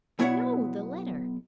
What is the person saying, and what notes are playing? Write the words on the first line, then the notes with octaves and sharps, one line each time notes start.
"No; the letter."
B1 B3 E4 C#5 D5 F#5